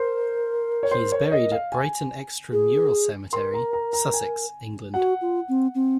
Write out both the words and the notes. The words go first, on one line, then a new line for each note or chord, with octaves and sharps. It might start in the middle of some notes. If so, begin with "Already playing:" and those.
He is buried at Brighton Extra Mural Cemetery, Sussex, England.
Already playing: A#4 C5
C#5
C5
C#5
D#5
F5
G#5
G#4
A#4 C6
A#5
A#5
A#5
G#5
F#4 F#5
F4
C4
C4